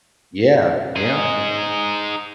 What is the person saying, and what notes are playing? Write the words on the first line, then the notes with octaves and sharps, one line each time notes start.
Yeah. Yep.
D#4 G#4